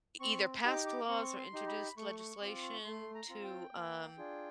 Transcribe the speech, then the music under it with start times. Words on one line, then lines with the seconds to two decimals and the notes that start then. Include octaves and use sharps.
e either passed laws or introduced legislation to, um
0.20 C4 C#6
0.64 D#4 G4 D6
0.87 D6
1.08 C4 C#6
1.39 C6
1.53 D#4 G4
1.68 B5
1.97 A3 C#6
2.19 C#6
2.41 C4 F4 D6
2.63 C#6
2.84 A3 C6
3.15 A#5
3.29 C4 F4
3.44 G5
3.73 A#3
4.17 D4 F4 G#4